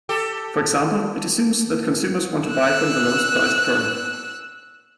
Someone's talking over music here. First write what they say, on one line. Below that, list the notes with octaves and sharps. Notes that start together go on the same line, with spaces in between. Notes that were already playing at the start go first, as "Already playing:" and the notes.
For example, it assumes that consumers want to buy from the lowest priced firm.
G4 A4
E6 F#6